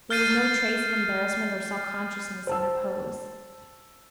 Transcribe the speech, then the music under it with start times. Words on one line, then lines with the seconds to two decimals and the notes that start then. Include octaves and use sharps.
There was no trace of embarrassment or self-consciousness in her pose.
0.10 F6 G6 A6 C7 D#7
2.47 C5 A5 E6